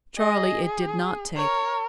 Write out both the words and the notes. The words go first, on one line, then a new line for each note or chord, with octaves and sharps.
Charlie it did not take.
G#4 D#5
A#4 C#5